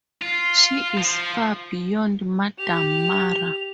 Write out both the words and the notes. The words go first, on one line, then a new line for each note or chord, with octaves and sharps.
She is far beyond Madame Mara.
F4
F3
G4 F7